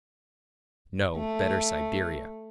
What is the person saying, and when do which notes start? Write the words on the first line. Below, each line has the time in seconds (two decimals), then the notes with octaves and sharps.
No, better Siberia!
1.16 A3